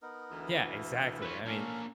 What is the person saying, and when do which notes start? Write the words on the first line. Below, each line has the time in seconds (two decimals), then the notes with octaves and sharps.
Yeah, exactly, I mean,
0.02 B3 D#4 A#4
0.31 D2 E3
0.72 F5
1.22 B4 C#5
1.46 A#3 C#4 D4 A4 F5